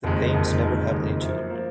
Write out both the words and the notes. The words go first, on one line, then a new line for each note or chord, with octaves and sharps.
The Paynes never had any children.
F#1 F2 D#3 G#3
F#1 F2 D#3 G#3
F#1 F2 D#3 G#3
F#1 F2 D#3 G#3
F#2 F3 A#3
F3 A#3